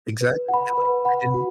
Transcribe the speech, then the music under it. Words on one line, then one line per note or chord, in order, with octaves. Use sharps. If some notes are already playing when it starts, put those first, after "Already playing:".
Exactly and like, I didn't
B4
F#5
B5
B4
F#5 B5
F#4